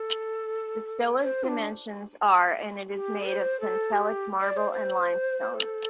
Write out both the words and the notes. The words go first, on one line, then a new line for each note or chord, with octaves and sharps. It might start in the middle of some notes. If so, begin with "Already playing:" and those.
The stoa's dimensions are and it is made of Pentelic marble and limestone.
Already playing: A4
C5
F4
D4
G4
C5
A4
G4
D5
C5
C5
A4